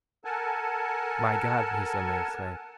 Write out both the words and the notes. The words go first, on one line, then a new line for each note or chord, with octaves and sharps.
'My God!' he suddenly exclaimed.
A4 A#4 F#5 G#5 A5